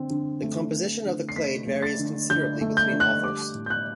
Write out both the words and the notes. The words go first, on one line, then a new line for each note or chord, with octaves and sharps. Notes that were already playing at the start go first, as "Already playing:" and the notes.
The composition of the clade varies considerably between authors.
Already playing: D3 C4
D3
A3
D3
D3
C7
A3 B6
A3
A6
D3
D3 G6
A3
G6
D3
F#6
G3 D6
A2
G6
F#6